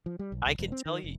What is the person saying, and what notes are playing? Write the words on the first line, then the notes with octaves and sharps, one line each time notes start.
I can tell you
F3
G3
B1
C2
E1
C4
D#3
F1